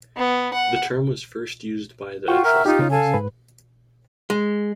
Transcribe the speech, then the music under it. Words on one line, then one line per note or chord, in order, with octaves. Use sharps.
The term was first used by the Etruscans.
B3
F#5
F4 F#4 F#5 G5 C#6
A#4 E5 F6
D#4 F4 G4
C#3 C#4
A4 F5 G#5
G#2 B4
G#3